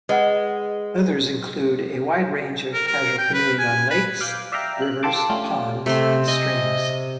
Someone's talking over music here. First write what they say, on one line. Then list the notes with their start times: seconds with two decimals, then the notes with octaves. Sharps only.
Others include a wide range of casual canoeing on lakes, rivers, ponds and streams.
0.09 G#3 B4 D#5 F#5
2.74 A#4
2.87 A#4
3.18 G5
3.34 B4
3.59 G#5
3.90 B4
4.20 F5 D6 F#6 G6
4.52 D5 E5 F5 G5 A#5
4.82 F#6
5.03 F4 G4 A4 A5 C6 D6
5.30 A3 C#4 D4 F4 G4
5.86 C3 A3 C6
6.28 D#5 G#5